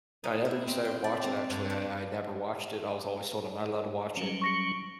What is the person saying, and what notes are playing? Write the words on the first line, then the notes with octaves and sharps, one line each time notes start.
I ever used to, uh, watch it actually. I I never watched it. I was always told I'm not allowed to watch it
D#4
E4
C4
G5
D5
C4
G2
D4
F#3 G3 C#4
C#6 A#6 C#7